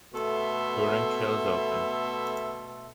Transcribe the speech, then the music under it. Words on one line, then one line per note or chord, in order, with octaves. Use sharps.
Touring trails open.
B2 A3 B3 A4 E5 C6